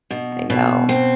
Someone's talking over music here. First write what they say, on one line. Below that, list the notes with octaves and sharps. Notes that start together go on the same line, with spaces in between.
I know.
B2
B2
C4